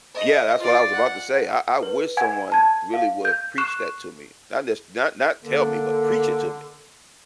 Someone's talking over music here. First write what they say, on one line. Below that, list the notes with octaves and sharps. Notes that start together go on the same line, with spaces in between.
Yeah, that's what I was about to say, I I wish someone really would've preached that to me. Not just not not tell me, but preach it to me,
D#5
F4 D5
F#5
B4
F#5 G#5 G#6
A5 G#6
F5
G6
C#6 F#6 C7 E7
D3 A#3 A4